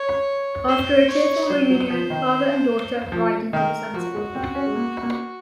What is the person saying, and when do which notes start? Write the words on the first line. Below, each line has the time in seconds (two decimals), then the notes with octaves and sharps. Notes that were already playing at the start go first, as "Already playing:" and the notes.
After a tearful reunion, father and daughter ride into the sunset.
Already playing: C#5
0.68 C5
1.08 C#5
1.49 F#3 C5
1.70 F#3
1.90 F3
2.10 D#3
3.12 F3
3.53 D#3 A#4
3.94 F3 F#4
4.14 G#3
4.35 C4
4.55 C#4
4.67 G#3
4.75 A#3
5.03 A#3